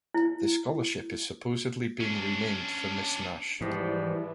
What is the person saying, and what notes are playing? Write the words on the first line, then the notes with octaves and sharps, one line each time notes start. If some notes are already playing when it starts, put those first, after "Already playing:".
The scholarship is supposedly being renamed for Miss Nash.
E4
C#4 D4
G#2 E3 F3 G3